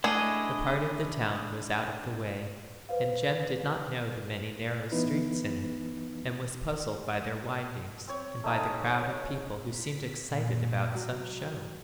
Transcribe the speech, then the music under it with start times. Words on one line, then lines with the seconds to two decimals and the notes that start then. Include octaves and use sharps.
The part of the town was out of the way, and Jem did not know the many narrow streets in it and was puzzled by their windings and by the crowd of people, who seemed excited about some show.
0.04 A3 D4 E4 G#4 D#5
2.89 B4 C5 F5
4.92 E3 B3 D#4 E4 B4
8.08 C4 C#5
8.44 A3 D#4 G#5
9.70 B6
10.26 A#2
10.94 F#3